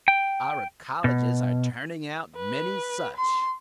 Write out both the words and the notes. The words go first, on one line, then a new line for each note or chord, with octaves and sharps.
"Our Colleges are turning out many such."
G5
B2
B4
C6